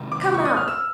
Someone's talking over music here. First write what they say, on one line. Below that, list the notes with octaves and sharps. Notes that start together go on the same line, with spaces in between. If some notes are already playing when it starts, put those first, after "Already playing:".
Come out!
Already playing: C3 D#3 G#3
D6
C#6
D#6
F6
E6